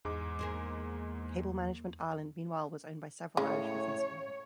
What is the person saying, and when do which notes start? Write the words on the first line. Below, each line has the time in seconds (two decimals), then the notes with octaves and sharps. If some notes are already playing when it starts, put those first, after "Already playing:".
Cable Management Ireland meanwhile was owned by several Irish businessmen.
0.05 E2 G#2 G#3 D6
0.39 A#3 G#4 C5
3.37 A2 C#3 G#3 C#5